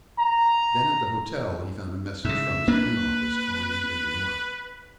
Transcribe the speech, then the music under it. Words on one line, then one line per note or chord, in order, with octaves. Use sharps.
Then at the hotel he found a message from his own office calling him to New York.
A#5
G#2 C#3 E5
A#3 D4 B4